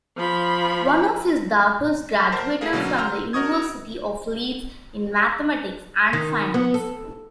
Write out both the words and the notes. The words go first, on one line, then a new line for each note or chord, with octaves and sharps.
One of his daughters graduated from the University of Leeds in Mathematics and Finance.
F3 B5
A#4 C5 A5
A3 E4 G#4 A#4 F5
B2 D3 F#3 A#3 C#4
A#5 C6 E6 F6 G6
F#4 A#4 D#5 C#6 D#6 G#6
D#3
B3
A4